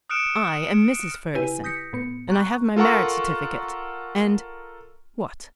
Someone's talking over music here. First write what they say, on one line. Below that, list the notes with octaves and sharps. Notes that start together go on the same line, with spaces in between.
I am Mrs. Ferguson, and I have my marriage certificate, and--What!
D#6 F6 F#6 C#7 D7 E7
C#3 E4 G4 B4 G#5 D#7
D#6 G6 A#6 B6 C#7
A2 B3 C#7
A#5 C#6 F#6
F4 A4 A#4 F#5 C#6